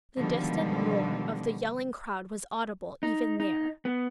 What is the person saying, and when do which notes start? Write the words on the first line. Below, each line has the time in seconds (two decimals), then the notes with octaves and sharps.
The distant roar of the yelling crowd was audible even there.
0.17 B2 D3 D#3 F3 G3 G#3
3.03 D#4
3.40 D#4
3.85 B3